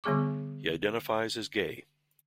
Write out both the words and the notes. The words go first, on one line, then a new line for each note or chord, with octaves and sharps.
He identifies as gay.
D3 G3 B3 G#4 C#6 D6